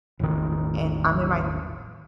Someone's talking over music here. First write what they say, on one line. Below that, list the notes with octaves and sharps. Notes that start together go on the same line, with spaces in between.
and I'm in my
E1 A1 D#3